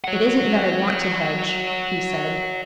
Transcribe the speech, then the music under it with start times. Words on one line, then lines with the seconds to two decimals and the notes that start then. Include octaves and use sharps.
'It isn't that I want to hedge,' he said.
0.04 C#5 F#5